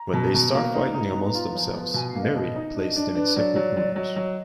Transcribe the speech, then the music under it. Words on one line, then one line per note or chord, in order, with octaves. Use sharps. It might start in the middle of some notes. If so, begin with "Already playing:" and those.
When they start fighting amongst themselves, Mary places them in separate rooms.
Already playing: A#5
B2
B2 A#5
A#3
D#4
D#4
B3
F4
F3
B3
B2 G#5
F5
A#3
D#5
B2 D#5
D#4
D4
D4
D4 B4
F#3 D5
F#3
F#3
F#3 D#5
F#3